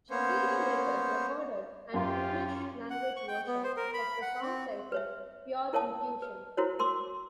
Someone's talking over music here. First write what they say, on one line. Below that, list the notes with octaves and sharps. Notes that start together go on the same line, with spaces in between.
Shakira later recorded an English-language version of the song, titled "Pure Intuition".
A#3 B3 C#4 C5 C#5
F#2 C#4 F4 G4 F5 C6
F#5
C#6
G5
B3
C5
A#4
B5
F#5
C4
B4 C#5 E5
E4 A#4 C#5 F5 A5 D#6
B4
E4 F#4 A#4 C5 C#5
A#4 C6 D6 E6